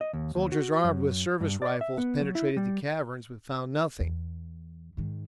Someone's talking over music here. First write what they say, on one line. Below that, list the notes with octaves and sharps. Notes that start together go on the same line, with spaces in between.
Soldiers armed with service rifles penetrated the caverns, but found nothing.
D#5
D#2
D#2
F#4
F#2
G2
D5
E5
B3
F#3
E4
G3
E2
G#2 D#3